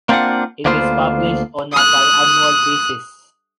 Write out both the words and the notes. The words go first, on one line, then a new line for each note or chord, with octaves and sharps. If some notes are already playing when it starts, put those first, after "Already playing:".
It is published on a biannual basis.
A#3 C4 D4 E4 F4 F#5
D2 A#3 B3 F4 C5
D#6 F#6